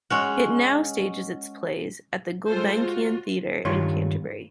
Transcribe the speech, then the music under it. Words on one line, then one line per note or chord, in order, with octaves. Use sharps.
It now stages its plays at the Gulbenkian Theatre in Canterbury.
G#3 C#4 F#4
G#3 F4 A4 C5
F4 F#4
G2 D#3 F4 C#5 C6